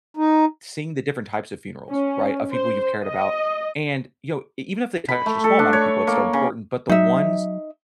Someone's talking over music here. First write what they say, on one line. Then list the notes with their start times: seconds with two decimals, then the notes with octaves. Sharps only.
seeing the different types of funerals, right? Of people you've cared about. And, you know, e even if they touched a small amount of people, it's still important. But the ones
0.17 D#4
1.89 C#4
2.52 C5
3.03 D#5
5.09 B5
5.26 A3
5.44 A4
5.59 D4
5.73 C#5
6.07 A#3
6.33 C#3
6.89 F#3 D#4 E5